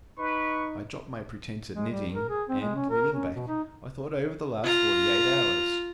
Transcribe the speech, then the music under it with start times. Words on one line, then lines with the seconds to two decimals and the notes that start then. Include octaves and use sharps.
I dropped my pretense at knitting and, leaning back, I thought over the last forty-eight hours.
0.18 D#4 B4 C#6
1.74 G#3
1.89 G3
2.14 A#4
2.29 G#4
2.49 C4
2.60 G#3
2.75 C#4
2.90 A#4
3.13 C#4
3.35 B2
3.48 D#4
4.63 F4 A#5